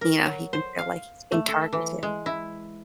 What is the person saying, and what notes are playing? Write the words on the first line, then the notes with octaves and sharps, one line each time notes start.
you know, he can feel, like, he's being targeted.
A#4
F#3
C5
F5
A3
A4
E3
G#3
E4